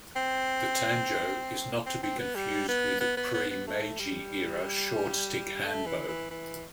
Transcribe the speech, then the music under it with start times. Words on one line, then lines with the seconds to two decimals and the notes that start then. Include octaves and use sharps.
The tanjo is not to be confused with the pre-meji era short stick hanbo.
0.16 C4
1.86 C4
2.03 C4
2.19 B3
2.35 G3
2.68 B3
3.00 B3
3.17 B3
3.34 B3
3.51 B3
3.67 A3
4.00 G3
5.64 A3
5.87 E3
6.08 E3
6.30 E3